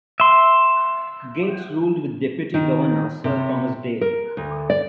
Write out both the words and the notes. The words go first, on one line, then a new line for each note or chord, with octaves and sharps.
Gates ruled with deputy governor Sir Thomas Dale.
E5 C6
D#3
C3
A#4
D2
D5